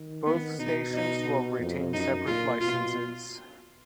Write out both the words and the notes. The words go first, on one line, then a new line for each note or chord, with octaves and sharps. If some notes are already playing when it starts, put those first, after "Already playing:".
Both stations will retain separate licenses.
Already playing: D#3
B3
B2 D#4
D#4
F2
F#2 D#4
A#2 F4
B2 F4